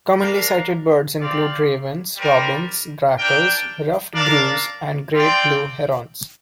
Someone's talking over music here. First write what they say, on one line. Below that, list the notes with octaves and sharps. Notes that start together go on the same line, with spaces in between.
Commonly sighted birds include ravens, robins, grackles, ruffed grouse, and great blue herons.
D4 A#4 F5
C4 G4 D5 F5
G3 C4 A#4 D5
D4 A#4 G5
D4 A#4 D5 F5
C4 F4 D5 G5